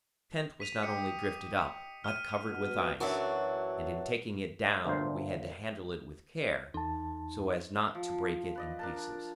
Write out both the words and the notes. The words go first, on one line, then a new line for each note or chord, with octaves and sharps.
The tent was not only drifted up, but covered with ice, and in taking it down we had to handle it with care. so as not to break it in pieces.
B6 D#7 F7
G4 D#5 C#7
F6 D#7
B2
F#2 E3 F#3 D4 F#4
G1 D2 A#2 C5
E2 D#4 A5
F3
B4 D5 D#5
D4 A#4 A5